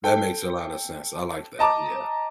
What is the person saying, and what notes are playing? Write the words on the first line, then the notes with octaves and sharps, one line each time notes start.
That makes a lot of sense, I like that, yeah.
A4 G5
D#5 A5 A#5 D6